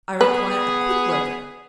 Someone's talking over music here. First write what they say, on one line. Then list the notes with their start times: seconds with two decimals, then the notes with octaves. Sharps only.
I require a quick worker.
0.21 B3 G#4 B4